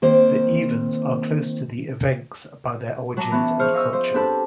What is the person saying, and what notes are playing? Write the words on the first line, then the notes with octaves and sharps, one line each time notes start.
The Evens are close to the Evenks by their origins and culture.
D#3 A#3 C4 C5
F#3 A5 A#5 C#6 D6
E3 B3 C#4 D4
F3 G#4 C5 C#6 F6
D#5 F5 C#6 E6
F3 C5
C4 D4 G4 A4 B4 A5